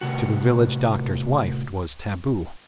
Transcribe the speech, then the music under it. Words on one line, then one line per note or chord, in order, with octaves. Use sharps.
To the village doctor's wife it was taboo.
A2 C3 F#4